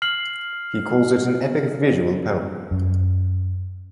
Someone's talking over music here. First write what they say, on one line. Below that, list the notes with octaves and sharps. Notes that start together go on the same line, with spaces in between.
He calls it an epic visual poem.
F6 C7 F#7
F#2